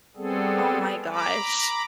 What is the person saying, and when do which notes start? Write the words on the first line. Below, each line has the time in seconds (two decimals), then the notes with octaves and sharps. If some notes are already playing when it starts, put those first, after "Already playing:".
Oh my gosh.
0.17 G3 B3 C4 G#4 A4
1.12 A#5 B5 D6